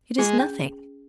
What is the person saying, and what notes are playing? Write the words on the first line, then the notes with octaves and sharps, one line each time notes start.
"It is nothing."
G#3 G#4
C#4